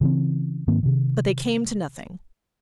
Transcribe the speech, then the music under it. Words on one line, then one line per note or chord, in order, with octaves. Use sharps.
But they came to nothing.
C#3 E3 C4
G#2 D#3 A#3 C4
C3 D#3